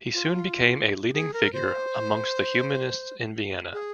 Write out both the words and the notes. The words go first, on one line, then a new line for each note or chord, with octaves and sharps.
He soon became a leading figure amongst the humanists in Vienna.
F4
G4
G#4
A#4
C5
G#4